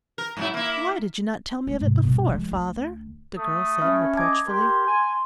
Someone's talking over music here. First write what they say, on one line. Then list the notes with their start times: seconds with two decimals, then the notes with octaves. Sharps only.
"Why did you not tell me of it before, father?" the girl said, reproachfully.
0.18 A#4
0.37 G#2 F#3 E4
0.54 A#3 E4
1.67 G#3 A3
1.81 G#2 C3
2.03 G2 B2
2.29 F3 G#3
2.52 D2
3.36 A3 D#6
3.82 C#4 E5 B5 F6
4.16 D#5 A5 D6 G#6
4.47 G4 A#4 C6
4.86 G#5